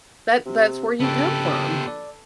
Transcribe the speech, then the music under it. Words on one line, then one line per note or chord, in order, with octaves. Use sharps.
That that's where you come from,
C3
A#1 C#3 B3 G4 A4 B4
D5